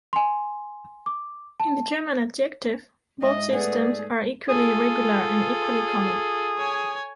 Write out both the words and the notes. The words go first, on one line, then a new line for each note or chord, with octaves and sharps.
In the German adjective, both systems are equally regular and equally common.
G#5 C6
D6
A5
G#2 D#5 E5
A3 B3 G#4 D5
F4 G#4 A4
C#5 G#5